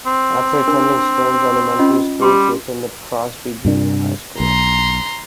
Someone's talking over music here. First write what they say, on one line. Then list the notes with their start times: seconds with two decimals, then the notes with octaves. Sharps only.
After attending Stearns Elementary School, she attended Crosby Junior High School.
0.06 C4
0.68 D4 A#4
1.79 C#4 F4 D#5
2.21 G3 G4 C6
3.65 G2 C3 D4
4.40 B1 A#5 C6